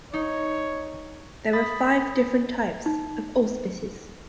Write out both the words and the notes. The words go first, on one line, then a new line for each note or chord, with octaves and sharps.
There were five different types of auspices.
D#4 C#5
B5 D#6 A6 B6
D#4